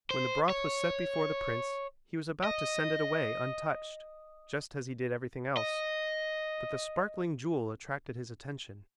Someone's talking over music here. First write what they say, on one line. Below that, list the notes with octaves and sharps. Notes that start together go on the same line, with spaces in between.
When the broth was set before the prince he was about to send it away untouched, just as he did everything else, but the sparkling jewel attracted his attention.
C5
C#5
D#5
D#5